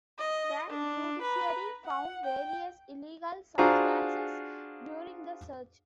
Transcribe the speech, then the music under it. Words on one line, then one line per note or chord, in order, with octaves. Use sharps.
The judiciary found various illegal substances during the search.
D#5
D4
B4 A#5
F#5
G5
D4 F4 F#4 G#4 C5 A#5